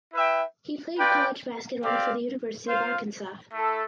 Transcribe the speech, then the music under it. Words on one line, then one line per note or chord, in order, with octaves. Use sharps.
He played college basketball for the University of Arkansas.
E4 B4 E5 G5
F4 B4 D5 G5
C4 G4 D5 F5
F4 C5 F5
A3 E4 A4